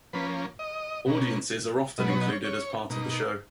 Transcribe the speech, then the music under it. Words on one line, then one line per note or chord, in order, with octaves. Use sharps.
Audiences are often included as part of the show.
F3 A#3 C#4 B4
D#5
B2 A#3 C#4
B2 F#3 B3 D#5
C#5
D#5
C#5
C#5
B2 A#3 D#4